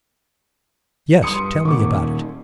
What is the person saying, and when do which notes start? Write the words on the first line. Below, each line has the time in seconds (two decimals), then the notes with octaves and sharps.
'Yes; tell me about it.
1.23 G2 C6 D#6 C#7
1.65 A#2 D#3 C#6 D6